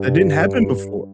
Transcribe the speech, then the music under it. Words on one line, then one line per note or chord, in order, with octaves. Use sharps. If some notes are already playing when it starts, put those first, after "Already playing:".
that didn't happen before,
Already playing: G2